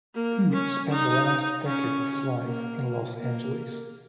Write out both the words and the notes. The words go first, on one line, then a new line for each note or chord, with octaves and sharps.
Hu spent the last decade of his life in Los Angeles.
A#3
C#4
D#4
C#4
A#3
A#3